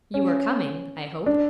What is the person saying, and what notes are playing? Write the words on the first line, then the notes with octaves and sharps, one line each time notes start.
'You are coming, I hope?'
C#4
D4